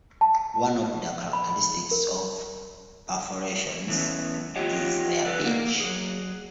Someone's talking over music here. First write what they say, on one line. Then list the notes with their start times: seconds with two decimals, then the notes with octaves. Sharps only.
One of the characteristics of perforations is their pitch.
0.21 A5
1.33 B5
1.91 A#4
3.88 E3 A3 B3 C#4
4.56 F4 G4 C#5 D#5 F#5 G5
5.24 A4 B4 D5 F#5
5.45 A#3 A#4
5.80 F#3 G#4